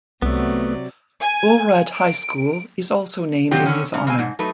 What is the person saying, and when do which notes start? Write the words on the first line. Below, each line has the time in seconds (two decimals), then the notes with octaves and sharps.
Bolhrad High School is also named in his honor.
0.22 C2 C3 F#3 A3 B3 D5
1.21 G#5
1.94 D7
3.51 A#2 D#3 F#3 C4 G4
3.66 D3 D#3 C#4
3.94 G2 C#4
4.07 C#3 G#3 C4 G#5
4.19 G#2
4.39 F#3 A3 D#4 B4